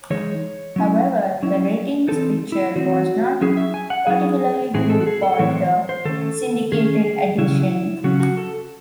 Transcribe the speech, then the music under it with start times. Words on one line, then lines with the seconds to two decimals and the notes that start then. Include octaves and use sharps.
However, the ratings picture was not particularly good for the syndicated edition.
0.10 E3 G#3 D#4 C#5
0.76 F#3 C#4 E4
1.43 F#3 C#4 E4
2.08 E3 C4 D#4 A4
2.52 E4
2.75 E3 C4 D#4 F#4
3.41 F#3 C#4 E4 G#4
3.57 E5
3.74 G#5
3.90 F#5
4.07 F#3 C#4 E4 G#4
4.74 A2 E3 C4 E4 G#4
4.90 A4
5.01 F#4
5.06 G#4
5.23 A4
5.39 A2 E3 C4 E4 C#5
5.56 C5
5.89 C5
6.05 D#3 A3 C#4 A4
6.72 D#3 A3 C#4 G#4
7.38 C#3 F#3 C#4 E4
8.04 C#3 F#3 C#4 F#4
8.20 F#4
8.37 A4